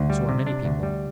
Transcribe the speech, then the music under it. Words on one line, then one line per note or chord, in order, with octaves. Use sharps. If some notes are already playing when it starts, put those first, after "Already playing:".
So are many people.
Already playing: D2
G3
C3
D4
D2
G3